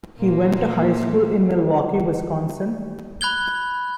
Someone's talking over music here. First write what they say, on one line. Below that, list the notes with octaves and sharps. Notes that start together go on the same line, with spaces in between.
He went to high school in Milwaukee, Wisconsin.
A#2 A#3
B5 F#6 G#6 G7